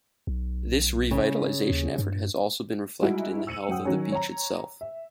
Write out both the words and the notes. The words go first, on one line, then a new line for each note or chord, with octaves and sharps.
This revitalization effort has also been reflected in the health of the beach itself.
B1
C#3
D#2
G2
G3 G#3 D#4 E4 F#4
E6 C#7 D#7 F#7
F#2 F#4 F#5 G5 D#6
D#3 F#3 C#4
C#5 A#5
E5